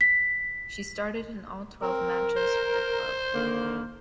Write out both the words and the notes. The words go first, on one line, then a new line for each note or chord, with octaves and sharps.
She started in all twelve matches for the club.
B6
C4 A#4
C5
D3 D#3 A#3